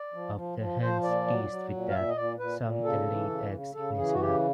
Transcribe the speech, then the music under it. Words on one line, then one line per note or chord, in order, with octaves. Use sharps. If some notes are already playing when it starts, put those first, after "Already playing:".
Of the hens pleased with that, Some laid eggs in his lap.
Already playing: D5
F3
F3
F3
F3 C5
A#2 D5
F#3
F#3
A#2
F5
A#2 E5
D#5
A#2 D5
A#2 B4
A#2
C#3 A4
E3
C#3
C#3
C#3 A4
E3 G#4
F#4
C#3 G4